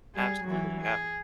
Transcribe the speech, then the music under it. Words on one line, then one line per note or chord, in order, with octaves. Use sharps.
Absolutely, yeah.
G3 G#4
E3 F#3
G#4